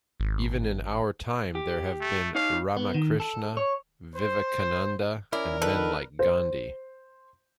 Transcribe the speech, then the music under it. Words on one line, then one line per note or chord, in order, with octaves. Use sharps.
Even in our time there have been Ramakrishna, Vivekananda, and men like Gandhi.
G#1
G4
A3
D#4 C#5 F5
B3
D#3
A4
C#5
C5
C#4 E4 A#4 D5
D#3 D4 A4 B4
C5